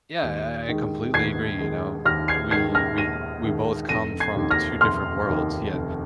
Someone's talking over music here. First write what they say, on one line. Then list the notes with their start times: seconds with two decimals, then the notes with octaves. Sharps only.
yeah, I I completely agree, you know, t we've we c we both come from two different worlds, yet,
0.23 D#2
0.69 D#3 G#3
1.14 D#2 G#6 C7
1.60 D#3 G#3
2.05 D#2 F6 A#6
2.28 G#6 C7
2.51 D#3 G#3 G#6 C7
2.75 F6 A#6
2.98 D#2 A#6 D#7
3.44 D#3 G#3
3.89 F1 A#6 D#7
4.20 G#6 C7
4.36 D#2 D#3
4.51 F6 A#6
4.81 F1 C6 F6
5.27 D#2 D#3
5.73 F1